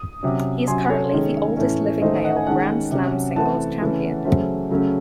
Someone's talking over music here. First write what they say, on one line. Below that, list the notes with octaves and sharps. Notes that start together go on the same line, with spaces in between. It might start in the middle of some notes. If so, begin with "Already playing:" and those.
He is currently the oldest living male Grand Slam singles champion.
Already playing: D#6
C3 F#3 C#4
C3 F#3 C#4 G#5 C6
A4 C#5
D#3 G#3 C#4
A2 E3 A3 C#4
D#3 A3 C#4 C5 D#5
D#5 F#5
G#5
D#3 G#3 C#4 F#5 A5
C3 F#3 C#4
E3 A3 C4 F#5 A5
C#3 E3 A3 C#4
C#3 F#3 A3 C#4 C5
C#3 F#3 A3 C#4